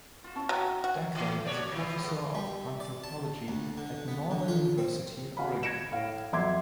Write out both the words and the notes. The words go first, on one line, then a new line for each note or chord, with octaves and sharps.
Declan is a Professor of Anthropology at Northern University in Oregon.
F4 F#4
C#4 E4 A5
F#3 E5 F#5 G5
F#4
E3 A3
A#2 C#5 D5
D#3 E4 F4
E2 A2
G3
D5
A5
D2
D3
B3
D3
F4
C4
F#4 F5 B5
G#6 A#6 C#7 D7 E7
A2 F5
F2 F#3 E5 C6 D6 G#6